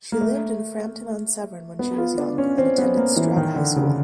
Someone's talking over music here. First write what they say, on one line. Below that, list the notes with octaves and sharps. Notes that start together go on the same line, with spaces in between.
She lived in Frampton-on-Severn when she was young, and attended Stroud High School.
A#3
A3
B3
F4
D4
C#4
C4
B3
A#3
E3
D#3
D3
C#3